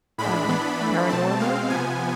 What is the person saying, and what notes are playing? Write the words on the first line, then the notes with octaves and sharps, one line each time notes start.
um, paranormal,
A2 G#3 D4 B5
E3 B3 D4 B5
E3 A3 D4
B2 A3 C4 A5
B2 G#3 C4 F5
C3 F3 B3 G#5